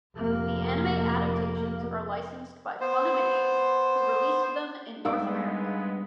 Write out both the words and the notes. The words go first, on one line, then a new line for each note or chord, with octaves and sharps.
The anime adaptations are licensed by Funimation who released them in North America.
F1 A#3
B3 C5
G2 G#3 B3 D#4 A#4 D5 F5 E6